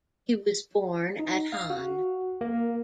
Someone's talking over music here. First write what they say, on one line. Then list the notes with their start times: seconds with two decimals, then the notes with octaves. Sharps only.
He was born at Hann.
1.19 D#4
1.52 F5
1.70 F#4
2.41 A#3